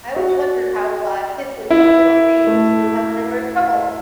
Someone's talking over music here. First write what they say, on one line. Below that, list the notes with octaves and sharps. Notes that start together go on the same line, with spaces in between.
I always wondered how, uh, kids with no middle names knew how they were in trouble.
F#4
E4
A3